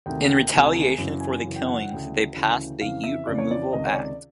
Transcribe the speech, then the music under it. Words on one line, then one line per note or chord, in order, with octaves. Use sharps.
In retaliation for the killings, they passed the Ute Removal Act.
D2 C3 D#3 G5
G5
D2 C3 D#3 G#5
G#5
F#2 C#3 E3
G#5
F#2 C#3 E3
G5
F#5
D2 C#3 E3 G5
D2 C#3 E3
F2 C#3 E3 F5
E5
F2 C#3 E3 D5
C#5
D5
C#2 C3 D#3 D#5
C#5
D5